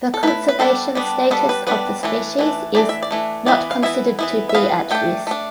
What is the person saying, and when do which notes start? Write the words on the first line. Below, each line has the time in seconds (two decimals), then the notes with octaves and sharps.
The conservation status of the species is "not considered to be at risk".
0.14 A4
0.23 A3 E4 B4
0.48 B4
0.59 G3 B3 D4 A4
0.95 G3 B3 D4
1.31 G3 B3 D4 A4
1.49 B4
1.67 G3 B3 D4 B4
2.03 E3 A3 D4
2.38 E3 A3 D4
2.75 E3 A3 D4 D5
2.89 E5
3.03 D5
3.11 E3 A3 D4
3.46 E3 B3 E4 D5
3.71 F5
3.83 E3 B3 E4 E5
4.19 E3 B3 E4
4.49 E5
4.54 E3 B3 E4 F5
4.91 A3 D4 G5
5.27 A3 D4